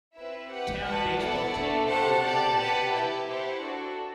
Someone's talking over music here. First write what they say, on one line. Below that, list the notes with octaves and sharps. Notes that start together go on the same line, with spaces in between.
A town baseball team was another attraction.
C4 E4 B4 E5
G4 B4 F#5
F#4 B4 F#5 A5
B3 E4 A4 D5 F#5
A3 D4 A4
G4 C5 F#5 A5
G4 D5 A5
G4 B4 F#5 A5
E4 G4 B4
E4 G4 C5 F#5
D4 F#4 A4